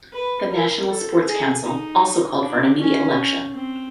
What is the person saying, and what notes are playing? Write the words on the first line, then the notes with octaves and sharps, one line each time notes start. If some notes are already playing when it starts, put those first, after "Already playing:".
The National Sports Council also called for an immediate election.
B4
A#4
A4
G#4
D#4
D4
C#4
C4